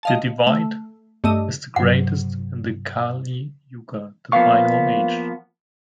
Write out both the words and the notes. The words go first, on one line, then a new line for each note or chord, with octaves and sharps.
The divide is the greatest in the Kali Yuga, the final age.
D#5 F5 A5
A3
G2 A3 D#5 D#7
G2 C3 F#3 F#5
F3 A#3 B3 F5 C#6